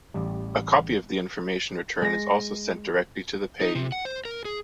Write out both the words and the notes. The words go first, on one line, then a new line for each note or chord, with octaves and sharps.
A copy of the information return is also sent directly to the payee.
A1 G3
G#3 A#6
D#4
C3
F#5
C5
A#4
G#4